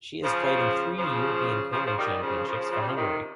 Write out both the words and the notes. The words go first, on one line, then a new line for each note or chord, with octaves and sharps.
She has played in three European Curling Championships for Hungary.
C#3 F3
C#3 F3
C#3 F3
F3
D#3 G3
C#3 F3
C#3 F3
C#3 F3
G3
F3
C3 D#3